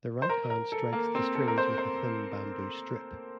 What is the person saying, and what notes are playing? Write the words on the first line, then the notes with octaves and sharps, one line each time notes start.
The right hand strikes the strings with a thin bamboo strip.
C5
A#4
A#4
A4
A#3
C4
A4
A#4
C5
C5